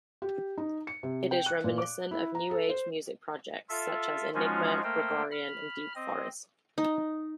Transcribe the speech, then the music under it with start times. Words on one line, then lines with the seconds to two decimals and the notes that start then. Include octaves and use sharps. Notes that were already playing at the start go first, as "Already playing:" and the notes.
It is reminiscent of new-age music projects such as Enigma, Gregorian, and Deep Forest.
0.22 G4
0.58 D#4
0.87 C#7
1.03 C3
1.31 G5
1.46 F#6
1.64 A#2
1.78 D6
2.11 E4
2.35 A#5
2.51 A4
2.69 C5
3.69 F4 A4 E5
4.35 F3 G#3 C#4 D#4 F4 F#4
4.83 A3 A#3 A#4 C5 G5
5.32 B5 F6
5.95 C4 D#5
6.78 D#4